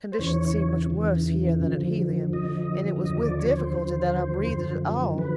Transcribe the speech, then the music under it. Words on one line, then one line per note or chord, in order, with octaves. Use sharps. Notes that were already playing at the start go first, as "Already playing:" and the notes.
Conditions seemed much worse here than at Helium, and it was with difficulty that I breathed at all.
C5
E2 C#3 E3 C#5
E2 C#3 E3
F2 D3 F3
F2 D3 F3 D#5
D#2 D3 F3 D#5
D5
C#5
C5
D#2 D3 F3
F#2 D3 F3
D3 F3 B4